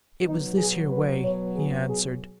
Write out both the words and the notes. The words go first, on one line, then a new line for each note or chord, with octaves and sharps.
"It was this here way," he answered.
B2 F#3 B3 D#4
G#4
B4
C#5
G#4
G#4